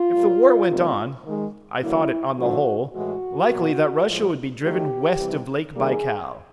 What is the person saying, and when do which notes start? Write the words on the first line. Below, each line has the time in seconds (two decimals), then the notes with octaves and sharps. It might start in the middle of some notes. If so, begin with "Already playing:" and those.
If the war went on, I thought it, on the whole, likely that Russia would be driven west of Lake Baikal.
Already playing: F4
0.13 A#2 G3 A#3
0.69 C3 D#3 G3 A#3
1.26 D#3 G#3
1.81 D3 F#3 A#3 E4
2.38 D3 F3 A3 F#4
2.94 A2 E3 G#3 F#4
3.50 B2 F#3 A#3
4.07 A2 F3 G#3
4.62 D#3 F#3 A3 G4
5.19 C3 E3 G3
5.75 D#3 G3 A#3 G#4